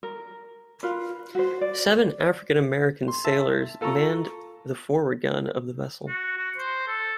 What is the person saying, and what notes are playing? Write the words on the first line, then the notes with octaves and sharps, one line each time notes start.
Seven African-American sailors manned the forward gun of the vessel.
A#4
F4 A#4 B4
F#4 C5
D5
C6
E5 A5
F4 A4 A5 A#5 C#6
F#4
F#4
C5
A4